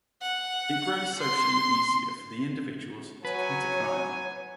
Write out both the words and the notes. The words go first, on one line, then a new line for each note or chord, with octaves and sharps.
It grows socially easier for the individuals to commit a crime.
F#5
C6
F#3 B4 C#5 G#5